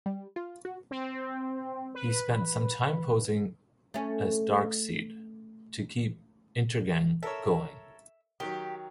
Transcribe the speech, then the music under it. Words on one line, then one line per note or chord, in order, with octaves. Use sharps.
He spent some time posing as Darkseid to keep Intergang going.
G3
F4
F#4
C4
B4
A3 C#4
A4 A#4 C#5 E5
D#3 F#3 G4